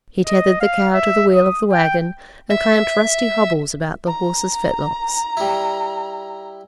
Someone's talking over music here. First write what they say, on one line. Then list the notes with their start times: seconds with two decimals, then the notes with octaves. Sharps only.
He tethered the cow to the wheel of the wagon and clamped rusty hobbles about the horses' fetlocks.
0.27 D#5
0.60 F5
0.94 E5
1.34 D#6
1.72 G5
2.50 E5
4.07 A#5
5.37 G3 E4